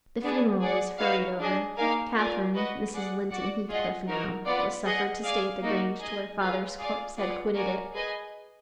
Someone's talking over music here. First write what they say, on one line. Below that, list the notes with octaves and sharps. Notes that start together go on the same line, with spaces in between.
The funeral was hurried over; Catherine, Mrs. Linton Heathcliff now, was suffered to stay at the Grange till her father's corpse had quitted it.
B3 D4 G#4
G#4 D5 F#5
D#4 F#4 B4 F5
D4 G#4 D#5 G#5
A#3 D#4 A#4 F5 G#5
F4 A#4 D5 G#5
F#4 B4 D#5 F#5
G#4 D5 F#5
F#4 D5 F#5
F4 G#4 D#5 F#5
D#4 F#4 A#4
B3 F4 B4 D5 F#5
G#4 D#5 F#5
G#4 D5 F5 G#5
A#3 D#4 F#4
G#4 D#5 G#5
F4 G#4 B4 F5
F4 G#4 D5 F5 G#5
F4 G#4 B4 D5 F#5
F#4 A#4 D5 G#5
G#4 B4 D#5 G#5